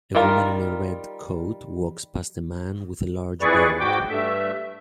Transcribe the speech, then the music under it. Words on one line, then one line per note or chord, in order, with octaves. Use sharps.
A woman in a red coat walks past a man with a large beard.
D#3 G3 F4 A#4 A#5
F2 E4 G#4 B4 D5 C#6
G#2 F#4 G5 D6
G2 A3 E5